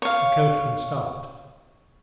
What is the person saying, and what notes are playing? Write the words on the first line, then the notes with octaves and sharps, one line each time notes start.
The coachman stopped.
C#5 F5